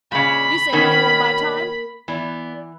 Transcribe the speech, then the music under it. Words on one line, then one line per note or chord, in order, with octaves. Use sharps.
You say money won't buy time?
A#2 C#3 G#3 B5
B2 D#3 A#3 C#4
E3 B3 D5